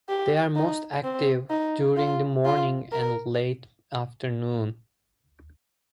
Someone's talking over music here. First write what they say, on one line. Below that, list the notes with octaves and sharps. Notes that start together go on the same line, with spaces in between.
They are most active during the morning and late afternoon.
G4
D#4
C4
D#4
F4
F4
A#4